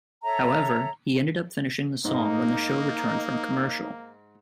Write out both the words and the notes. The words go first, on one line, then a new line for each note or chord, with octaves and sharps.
However, he ended up finishing the song when the show returned from commercial.
A4 C#5 E5 A#5
G#2 A#3 D#4